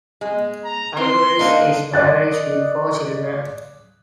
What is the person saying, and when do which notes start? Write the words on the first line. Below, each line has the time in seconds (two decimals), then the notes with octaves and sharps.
Alvarez is married with four children.
0.21 G#3
0.65 A#5
0.97 C4 C6
1.39 A#3 D4 D#4
1.94 D5 D#5 F#6 A6